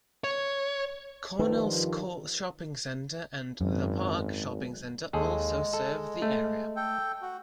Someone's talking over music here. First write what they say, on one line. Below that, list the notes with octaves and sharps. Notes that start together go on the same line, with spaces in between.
Cornelscourt shopping centre and "The Park" shopping centre also serve the area.
C#5
G2 D#3 F3 B4
G#1 F#2
D#2 G#3 G#4 A4
A4
A3
A4 G5
F#4